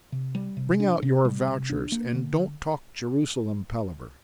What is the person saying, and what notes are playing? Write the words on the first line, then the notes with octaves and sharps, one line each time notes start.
Bring out your vouchers, and don't talk Jerusalem palaver.'
C3
G3
C3
D4
C3
G3
C3
D4
A#3
D3